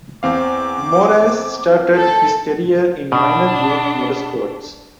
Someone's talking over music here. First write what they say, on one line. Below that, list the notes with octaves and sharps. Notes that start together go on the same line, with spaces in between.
Moraes started his career in minor youth motorsports.
E2 C4 F5 D6
A4
B2 D4